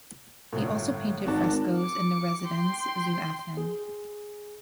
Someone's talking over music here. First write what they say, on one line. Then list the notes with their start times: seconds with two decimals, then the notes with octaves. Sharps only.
He also painted frescoes in the Residenz zu Athen.
0.53 G1 A2
1.27 G#1 F#4 D5 A5
1.77 D6 C#7
2.43 G5 C6
3.57 G#4